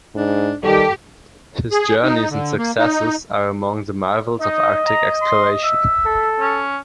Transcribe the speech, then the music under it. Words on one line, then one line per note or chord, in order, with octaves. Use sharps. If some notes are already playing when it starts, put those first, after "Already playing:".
His journeys and successes are among the marvels of Arctic exploration.
G#2 D4
D#3 G3 G4 A4
G#4
D#4
D3
A#3
D#4
D#4 D#5
A#5
C6
E5
A4
C#4